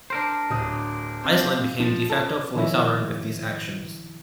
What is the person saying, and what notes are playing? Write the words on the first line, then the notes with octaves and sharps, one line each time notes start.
Iceland became "de facto" fully sovereign with these actions.
D4 A#4 C5
D1 D#6
C4 F5
F3
A4
B2 D#3 F3 C#4 E4